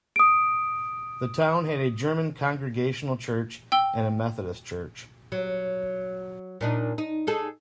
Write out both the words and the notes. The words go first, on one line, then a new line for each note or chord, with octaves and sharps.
The town had a German Congregational church and a Methodist church.
D#6 D7
G5 E6 G7
F#3
A#2 D4 D#4
D#4
D#4 G#4 A4